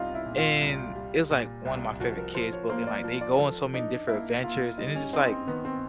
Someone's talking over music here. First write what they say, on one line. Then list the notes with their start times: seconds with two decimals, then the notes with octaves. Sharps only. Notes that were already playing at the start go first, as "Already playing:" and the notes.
And it was, like, one of my favorite kids' book, and, like, they go on so many different adventures, and it's just like,
Already playing: C2 B3 C4 D#4 F4
0.14 E4
0.26 A#2
0.38 F4
0.61 C2
0.95 G3
1.30 A#2
1.65 C2
2.00 F3 F#4
2.18 A#4
2.35 F3 C5
2.53 C#5
2.69 A#3 C5
2.87 D5
3.04 F3
3.21 D5
3.39 F3 A4
3.74 D4 D#4
4.08 A#3 E4
4.43 A#3 F4
4.78 G3 D#4
4.95 C#4
5.13 C4 D#4
5.30 C4
5.47 D#3 B3
5.65 C4